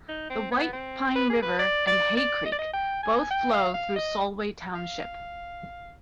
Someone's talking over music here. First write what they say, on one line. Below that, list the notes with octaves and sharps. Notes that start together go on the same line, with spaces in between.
The White Pine River and Hay Creek both flow through Solway Township.
D#4
C4
B3
C4
B4
G#4
B4
D5
D5
D5
D#5
D5
D#5
G5
G#5
G5
F5
F5
D#5
F5